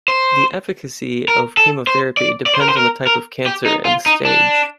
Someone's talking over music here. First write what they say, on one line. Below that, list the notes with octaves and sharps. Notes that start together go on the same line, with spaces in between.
The efficacy of chemotherapy depends on the type of cancer and the stage.
C5
A#4
A4
C5
D5
D5
C5
A#4
C5
A#4
A#4
G4
D#4
F4
D#4
D4